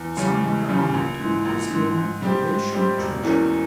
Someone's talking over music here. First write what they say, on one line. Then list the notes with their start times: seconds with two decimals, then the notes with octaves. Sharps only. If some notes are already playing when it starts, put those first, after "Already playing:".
Somewhere on it is hidden a rich treasure.
Already playing: E2
0.17 C#3 G3 C#4
0.43 E2
0.68 C#3 G3 C#4
0.94 A#1
1.20 G#2 E3
1.45 A#1
1.70 G#2 E3
1.96 G#2
2.22 G3 C4 G4
2.47 G#2
2.73 G3 C4 G4
2.98 E1
3.24 E2 E3 A#3 C#4